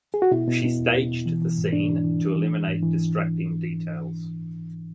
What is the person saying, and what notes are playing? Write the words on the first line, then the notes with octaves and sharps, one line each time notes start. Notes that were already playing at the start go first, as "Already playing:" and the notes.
She staged the scene to eliminate distracting details.
G#4
F#4
B2 E4
B2
B2
E2
B2
B2
E3
E3
G#2
G#2 D4
E3
E3
E3
E3
E3
G#2
E3